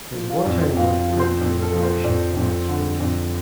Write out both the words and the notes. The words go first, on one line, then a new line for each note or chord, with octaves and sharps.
His war time work earned him a fellowship at Oxford.
F3
F5
F2 D5
C5
F2 F5
F5
F3
C5
F2
A4
F3
C5
F2 D5
F2
D3
F2